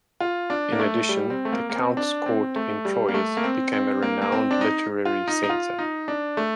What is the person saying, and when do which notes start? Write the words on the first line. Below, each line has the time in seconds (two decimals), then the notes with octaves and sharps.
In addition, the count's court in Troyes became a renowned literary center.
0.20 F4
0.50 D4
0.72 A#3
0.79 A3
1.09 G3
1.30 C4
1.45 A3
1.53 A#3
1.70 A#3
1.75 C4
1.97 D4
2.26 C4
2.56 A3
2.85 G3
3.09 A#3
3.14 A3
3.37 A#3
3.44 C4
3.73 C4
4.02 A#3
4.22 A#3
4.32 C4
4.51 D4
4.61 D#4
5.05 F4
5.28 D#4
5.43 D#4
5.50 F4
5.79 D#4
6.08 D4
6.37 A3